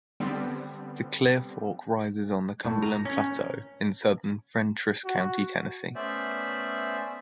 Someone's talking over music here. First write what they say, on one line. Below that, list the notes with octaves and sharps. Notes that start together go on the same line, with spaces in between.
The Clear Fork rises on the Cumberland Plateau in southern Fentress County, Tennessee.
D3 G3 B3 C4
A2
A#5
C#4
F#4
A3 B3 C#4 C5 D5 E5